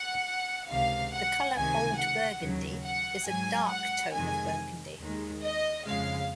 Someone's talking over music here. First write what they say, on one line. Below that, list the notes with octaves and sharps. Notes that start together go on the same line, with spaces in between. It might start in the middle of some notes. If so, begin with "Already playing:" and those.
The color "old burgundy" is a dark tone of burgundy.
Already playing: F#5
C#2 C3 D#3 F5
F#5
C#2 C3 D#3 G#5
F#5
D#2 C#3 F#3
F#5
G#2 F#3 G#5
F#5
F2 C3 D#3 G#3 G#5
D#2 D#3 G#3
D#5
F2 C#3 G#3 F5